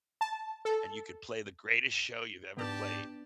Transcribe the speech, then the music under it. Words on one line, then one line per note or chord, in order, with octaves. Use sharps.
and you could play the greatest show you've ever played,
A5
A4
G#2 B3 D4 G4 D5 A5